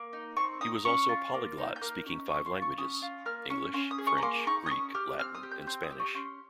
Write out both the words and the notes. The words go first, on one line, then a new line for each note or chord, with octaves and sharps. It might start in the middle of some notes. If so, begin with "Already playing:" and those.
He also was a polyglot, speaking five languages: English, French, Greek, Latin and Spanish.
Already playing: A#3
D#4
C4 C#6
D#4 D#6
C#4 C#6
F4
A#3
D#4
G6
A#3 F6
C#4
C#4 C#6
C6
F4
C#6
C#4 D#6
F4
A#3 F6
C#4 C#6
C#4 C6
D#6
G#4
C#6
A#5
A#3 C6
D#4 C#6
D#6
C#4 C#6
G4 F6
C4 F6
D#6
G4
G6
C4 G6
D#6
G4
C#6
C#4 C6